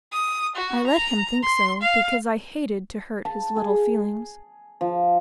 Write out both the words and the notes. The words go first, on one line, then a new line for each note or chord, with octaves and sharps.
I let him think so, because I hated to hurt his little feelings.
D#6
F#4
A#5
C6
F5
A5
G#4
F3